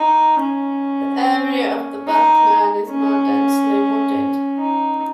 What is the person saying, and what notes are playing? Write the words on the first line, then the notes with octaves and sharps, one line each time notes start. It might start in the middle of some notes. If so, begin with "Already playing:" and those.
The area of the back nine is more densely wooded.
Already playing: D#4
C#4
D#4
C#4
D#4